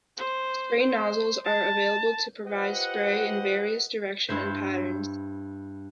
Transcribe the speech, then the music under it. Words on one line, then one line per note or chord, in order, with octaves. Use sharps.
Spray nozzles are available to provide spray in various directions and patterns.
C5
C5
A5
F4 G4 B4 C5 D#5 F#5
G2 E4 C5